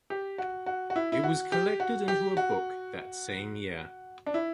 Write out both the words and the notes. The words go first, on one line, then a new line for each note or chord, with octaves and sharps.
It was collected into a book that same year.
G4
F#4
F#4
F#4
E4
E4
F#4
G4
F#4
G4
F#4
D4
E4